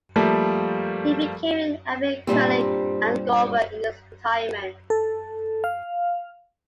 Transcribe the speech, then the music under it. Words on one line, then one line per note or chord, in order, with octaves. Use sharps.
He became an avid curler and golfer in his retirement.
F3 G3 A3 A#3
G2 A#2 G3 C4
A4
F5